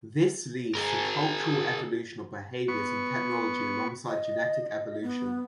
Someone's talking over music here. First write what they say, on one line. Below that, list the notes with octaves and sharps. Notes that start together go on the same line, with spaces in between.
This leads to cultural evolution of behaviors and technology alongside genetic evolution.
G#4 A#4
B3 C#6
D#5
B3